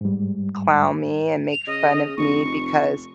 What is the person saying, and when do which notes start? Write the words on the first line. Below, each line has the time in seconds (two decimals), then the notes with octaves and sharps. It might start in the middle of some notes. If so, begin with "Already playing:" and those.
clown me and make fun of me because
0.01 G#2 G3
1.52 F7
1.67 C#3 D#5
1.91 C#3
2.17 F1 C#6